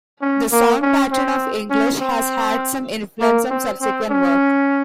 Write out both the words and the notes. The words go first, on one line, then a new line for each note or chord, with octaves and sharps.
"The Sound Pattern of English" has had some influence on subsequent work.
C#4
A#3
C#4
C4
C#4
C4
A#3
C4
C4
C#4